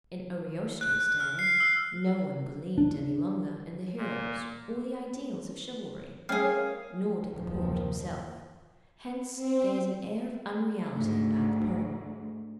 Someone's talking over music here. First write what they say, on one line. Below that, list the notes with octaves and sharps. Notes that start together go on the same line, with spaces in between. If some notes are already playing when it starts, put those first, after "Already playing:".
In Ariosto's day no one believed any longer in the heroes or the ideals of chivalry, nor did the poet himself; hence there is an air of unreality about the poem.
F#6
F#6
F6
C7
E6
D4
A#2
G3 A3 C#4 G#4 F5
A#4 C#5
F#1 D#2 A#2 D#3 F3
C4
D2 G#2